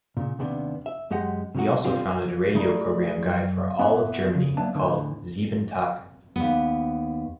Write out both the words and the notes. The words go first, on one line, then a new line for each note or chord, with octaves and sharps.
He also founded a radio programme guide for all of Germany, called "Sieben Tage".
A#2 C#3
D#2 C3 B3 D4
E5
F#2 G#3 G4 D#5 F#5
C3 F#3 G#3 D#4 F#4
B2 D3 G3 C4 F4
A3 E4 G#4 D5 A#5
F#2
B3 E4 B4 E5 F#5
E2 C#3
F#3 A#3 B3 D4 E5 A5
E2 A2 D3 E3
D#2 B3